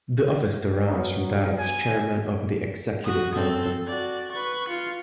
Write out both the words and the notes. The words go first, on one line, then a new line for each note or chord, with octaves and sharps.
The office derives from that of Chairman of the Executive Council.
F#3 B3 A#4
G#5
F#4 D#6
C4 A4
F#4 D5
B4 C#6
F4 C#7